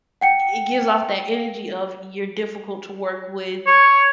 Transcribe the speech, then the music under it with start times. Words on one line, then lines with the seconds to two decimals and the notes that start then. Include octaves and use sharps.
it gives off that energy of you're difficult to work with,
0.21 F#5 G5 C#7
3.67 C#5